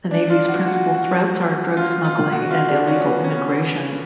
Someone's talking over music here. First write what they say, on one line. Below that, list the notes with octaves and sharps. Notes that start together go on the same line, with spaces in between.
The navy's principal threats are drug smuggling and illegal immigration.
D4
F4
F#4
F#4
F#4
F4
F4
F#4
F4
D4
C#4
B3
C#4